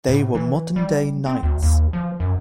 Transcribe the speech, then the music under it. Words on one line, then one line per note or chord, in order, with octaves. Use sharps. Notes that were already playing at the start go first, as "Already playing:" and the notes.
They were modern-day knights.
A2
E3
G3
C4
D2
D#2
F3
F#2